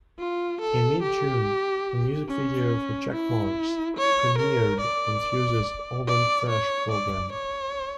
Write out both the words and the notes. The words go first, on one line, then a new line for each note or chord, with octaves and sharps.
In mid-June, a music video for "Checkmarks" premiered on Fuse's "Oven Fresh" programme.
F4
A4
G4
C#4
E4
C#5
A#4
D5
D5
C#5
D5
C#5